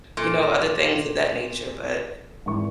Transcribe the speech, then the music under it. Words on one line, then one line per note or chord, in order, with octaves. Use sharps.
you know, other things of that nature, but
A#2 A4
G#1 E3 C#6